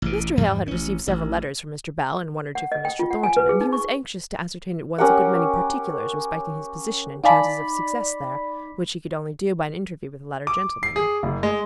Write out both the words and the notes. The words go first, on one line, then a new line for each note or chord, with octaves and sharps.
Mr. Hale had received several letters from Mr. Bell, and one or two from Mr. Thornton, and he was anxious to ascertain at once a good many particulars respecting his position and chances of success there, which he could only do by an interview with the latter gentleman.
A1 B2
E2 G#2 F3 G3
A1 C#4
A1
F#5
D#5
G5
F4
F#5
G#5
B4
G#4
D#4
C#6
C#4 G4 A#4 F#5
D#4 D5 F5 G#5 A5 B5
D6
C7
G#4
F#1
G#3